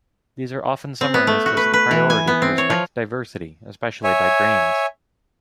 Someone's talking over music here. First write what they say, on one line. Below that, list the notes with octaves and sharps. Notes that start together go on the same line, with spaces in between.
These are often summarized as the priority to respect diversity, especially by Greens.
C4
B3
A3
F#4
B4
B4
E3
G#5
B3
C4
C#5
F3
C#5 E5 G#5